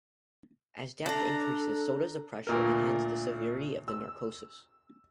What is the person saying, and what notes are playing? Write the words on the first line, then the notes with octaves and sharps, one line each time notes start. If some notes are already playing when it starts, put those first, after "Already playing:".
As depth increases, so does the pressure and hence the severity of the narcosis.
D4 A4 A#5
D2 A#2 A#4
E6